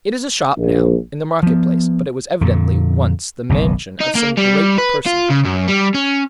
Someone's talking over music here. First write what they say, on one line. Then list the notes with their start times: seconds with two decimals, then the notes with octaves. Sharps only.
It is a shop now, in the market-place, but it was evidently once the mansion of some great personage.
0.57 A#1
1.43 F3 B3
2.41 F2 A#2 D3
3.49 F#1 B1 B2 D#3
4.01 D#4
4.15 A#3
4.37 G3
4.78 B4
5.06 F4
5.30 C#3
5.45 F#2
5.68 G3
5.94 C#4